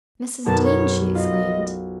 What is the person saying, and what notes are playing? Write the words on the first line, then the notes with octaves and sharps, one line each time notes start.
Mrs. Dean!' she exclaimed.
B1 F#2 B2 A5
C#5
F4 D#5